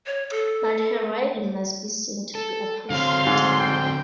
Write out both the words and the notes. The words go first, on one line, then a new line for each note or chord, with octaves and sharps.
But her riding must be seen to be appreciated.
C#5
A4
A4
D3 F#3 C4 F5 C6
G#2
G5